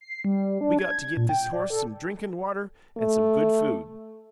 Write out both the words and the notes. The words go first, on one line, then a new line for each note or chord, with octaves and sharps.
"We got to get this horse some drinkin'-water and some good food."
C7
G3
D4
G#6
A#2
G5
D5
A4
A3